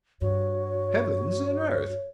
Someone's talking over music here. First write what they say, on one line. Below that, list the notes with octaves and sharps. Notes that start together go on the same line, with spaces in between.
Heavens and earth!
G2 F#4 C#5